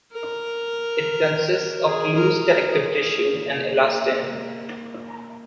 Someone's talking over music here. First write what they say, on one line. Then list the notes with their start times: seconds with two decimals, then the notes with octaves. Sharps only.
It consists of loose connective tissue and elastin.
0.12 A#4
1.86 G#4
2.15 A#4
2.44 A#4
2.73 G#4
3.17 A#3